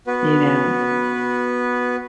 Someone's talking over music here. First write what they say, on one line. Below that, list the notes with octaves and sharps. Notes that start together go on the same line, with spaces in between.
You know?
B3 F#4 B4